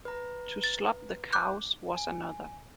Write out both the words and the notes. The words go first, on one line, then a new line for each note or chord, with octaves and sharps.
To slop the cows was another.
B4 A#5
A6
D6 F#6 G6
G#5